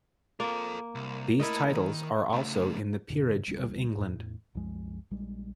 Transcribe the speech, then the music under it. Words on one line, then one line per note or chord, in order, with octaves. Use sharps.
These titles are also in the Peerage of England.
A#3 F4 A4
C2
A3 E4 A#4 D#5 B5
D#3
C#3 A3
F#2 B2 D3
D1 D2 G3
E2 A2
C2 F#2 F3 G#3
A#1 G3 G#3